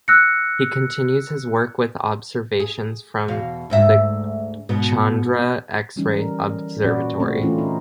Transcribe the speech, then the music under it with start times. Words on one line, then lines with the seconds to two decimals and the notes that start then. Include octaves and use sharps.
He continues his work with observations from the Chandra X-ray Observatory.
0.08 E6 F#6 A#6 C#7
2.60 G#4
3.28 E2 B2 F5
3.70 D2 G#2 E5
4.69 G#2 B2 B3
5.96 D3 E3 G3 C#4 D#4
6.17 A#4
6.84 A#2 C#4 F#4 B4 D5
7.20 D3 A3 C4 D4
7.42 E3 A3 C#4 E4 F4
7.58 D#4